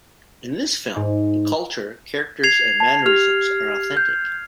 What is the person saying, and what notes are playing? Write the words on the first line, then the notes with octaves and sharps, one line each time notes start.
In this film, the culture, characters and mannerisms are authentic.
G#2
G#6 C7 F7
A5
G4 F6 F7
G6